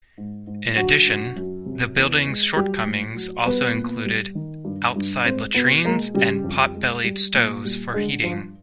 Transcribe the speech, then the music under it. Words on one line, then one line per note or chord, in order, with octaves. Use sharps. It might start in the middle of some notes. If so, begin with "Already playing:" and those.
In addition, the buildings' shortcomings also included outside latrines and potbellied stoves for heating.
G#2
G#2
D3 F#3 F#4
F#2
F#2
C3
E2
G#3
F#3 G3 G4
A2
F#3
G3 B3 B4
A#2
G3
D#3
G2
G2
G#3 C4 C5
B2 B3 B4
G#3 A#3 A#4
C#3 G3 G4
F2
G#3
G3
A#2
G3
D3 G#3 G#4
G2 F3 F4